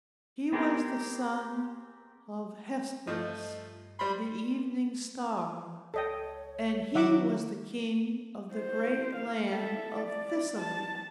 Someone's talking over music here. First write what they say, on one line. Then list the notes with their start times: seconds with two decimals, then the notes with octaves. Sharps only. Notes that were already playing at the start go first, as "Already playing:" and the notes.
He was the son of Hesperus, the Evening Star, and he was the king of the great land of Thessaly.
0.52 B3 C4 G4 G#4 A#4
3.07 G2 F3 A3 D#5
3.99 G3 B5 C6
5.94 C#2 A4 C#5 D#5 G5
6.95 D#3 F#3 E5 F#5 D6
8.54 C5
9.16 F5
9.49 A4 E5
9.95 D5
10.60 A5